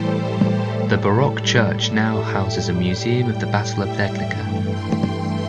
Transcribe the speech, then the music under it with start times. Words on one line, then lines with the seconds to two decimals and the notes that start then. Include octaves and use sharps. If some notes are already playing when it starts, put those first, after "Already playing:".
The Baroque church now houses a museum of the Battle of Legnica.
Already playing: A2 E3 G3 G4 A4 C5
0.22 A4
0.66 A2 G3 A4
1.11 A4
1.56 A4
2.00 E5
2.46 A2 G3 G5
2.90 G5
3.35 G5
3.80 E5
4.24 G2 E3 A3 G5
4.69 C6
5.15 C6